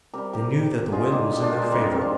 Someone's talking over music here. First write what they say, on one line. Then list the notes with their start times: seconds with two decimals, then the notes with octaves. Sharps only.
They knew that the wind was in their favor.
0.13 C3 G3 G4 A#4
0.33 G4 A#4
0.92 D3 G#3 F4 G#4
1.12 D#4 G4
1.32 D#4 G4
1.42 D4 F4
1.52 G4 A#4
1.62 G#4 C5
1.72 C3 D#3 G#3 G4 A#4
1.81 C4
1.92 C4
2.02 D4